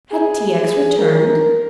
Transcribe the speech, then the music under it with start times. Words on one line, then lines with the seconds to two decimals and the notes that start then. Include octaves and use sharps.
Had T. X. returned!
0.10 G#4
0.98 A#4